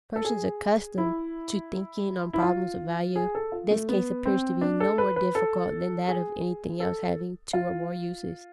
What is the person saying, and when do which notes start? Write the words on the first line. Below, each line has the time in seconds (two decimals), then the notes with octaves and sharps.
To persons accustomed to thinking on problems of value, this case appears to be no more difficult than that of anything else having two or more uses.
0.16 A4
0.25 G#4
0.98 E4
2.33 E4
2.42 F4
3.16 G#4
3.35 A4
3.52 F4
3.71 A3
3.89 B3
4.25 C4
4.61 D4
4.80 A4
4.98 B4
5.16 B4
5.35 A4
6.08 G#4
6.80 A4
7.53 F4